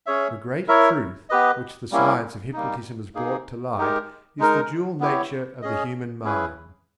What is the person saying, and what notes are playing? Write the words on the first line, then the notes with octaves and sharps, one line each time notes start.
The great truth which the science of hypnotism has brought to light is the dual nature of the human mind.
C#4 G#4 C#5 E5
E4 A#4 C#5 E5
B3 G4 B4 D#5
G3 A#3 C#4 E4
G3 A#3 D#4
A#3 D#4 G#4
G#3 D#4 G4 A#4
G#3 D#4 A#4
B3 E4 G4 C#5
C#4 G#4 D#5
C#4 E4 G#4 B4